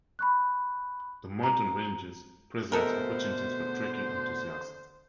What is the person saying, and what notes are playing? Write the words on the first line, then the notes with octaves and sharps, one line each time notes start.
The mountain ranges presents opportunities for trekking enthusiasts.
B5 C#6 F#6
A#5
B2 D3 G#3 A3 B3 A4 A#4 C5